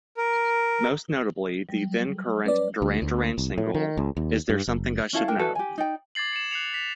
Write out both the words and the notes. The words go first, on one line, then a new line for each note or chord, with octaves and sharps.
Most notably, the then-current Duran Duran single, Is There Something I Should Know?
A#4
F#3 G3
C#4 B4 D5
D2
D2
C2
A2
D#3
C#2
D#2
G2
F#1
C#4 E4 A4 F5
D4 A#4 G5
F#4 A4 B4
G4 G#5
D#4 D5 G5
D6 G#6 A6 C7 F#7
C#7 E7
F#6 C7 C#7 F7
B6 F7